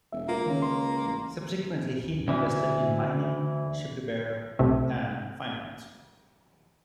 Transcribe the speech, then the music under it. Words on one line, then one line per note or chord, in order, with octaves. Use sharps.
Subsequently he invested in mining, ship repair, and finance.
E1 E5
A#3 F4 A#4
C#2 D#3 C#4
C6
A1
D2 E3
B1 C3 A3